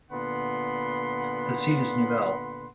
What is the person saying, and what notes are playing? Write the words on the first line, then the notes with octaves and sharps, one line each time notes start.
The seat is Nouvelle.
A#2 D3 B3 F#5 B5 C6